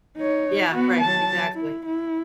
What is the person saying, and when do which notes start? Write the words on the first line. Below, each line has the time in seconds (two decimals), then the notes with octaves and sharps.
Yeah, right, exactly.
0.17 D#4 C#5
0.70 B3 F#4
1.01 F#3 A5
1.55 E4
1.86 E4